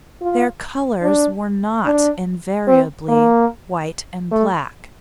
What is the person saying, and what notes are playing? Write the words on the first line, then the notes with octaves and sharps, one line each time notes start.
Their colours were not invariably white and black.
F4
D4
D4
C4
A#3
A3